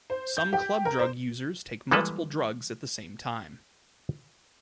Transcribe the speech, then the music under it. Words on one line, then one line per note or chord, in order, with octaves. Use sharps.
Some club drug users take multiple drugs at the same time.
C5
G6
G4
A#4
C5
E3 G3 G#3 A#3 A4 B4